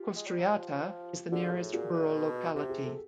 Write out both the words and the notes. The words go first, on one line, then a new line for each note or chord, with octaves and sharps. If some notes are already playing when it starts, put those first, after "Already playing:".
Kostryata is the nearest rural locality.
Already playing: F4 G4
G#3
G3
F#3
F3
D3 F#4 G#4
A2
A#2 F#4 G#4
A#2
B2
C3 G4
G#4
A4